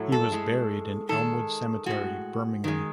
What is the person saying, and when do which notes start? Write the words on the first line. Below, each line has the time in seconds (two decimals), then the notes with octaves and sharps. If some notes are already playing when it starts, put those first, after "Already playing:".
He was buried in Elmwood Cemetery, Birmingham.
Already playing: A2 F#3 A3
0.12 A4
0.32 A2 G#3
1.09 D#3 G#3 A4
1.86 A2 G#3 F#4
2.64 D#3 G#3